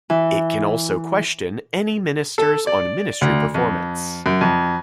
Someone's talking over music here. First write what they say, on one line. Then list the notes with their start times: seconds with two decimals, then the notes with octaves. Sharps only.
It can also question any ministers on ministry performance.
0.10 E3
2.38 A4
2.67 D5
3.21 D2
3.54 F2
4.26 F#2
4.41 F2